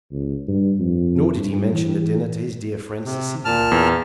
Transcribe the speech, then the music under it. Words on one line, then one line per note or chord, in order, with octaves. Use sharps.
Nor did he mention the dinner to his dear friend Cecilia.
C#2
G2
F2
G2
E3
C3
A#2 A5 F6
E2